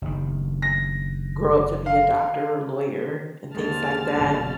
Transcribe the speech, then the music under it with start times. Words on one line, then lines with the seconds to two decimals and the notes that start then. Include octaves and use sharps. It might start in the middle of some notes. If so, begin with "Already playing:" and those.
grow up to be a doctor or lawyer and things like that,
0.02 F#1 D#3
0.62 A#6
1.86 F5
3.54 D#2 G#2 G#3 A5 F6 A6
4.13 F#1 B2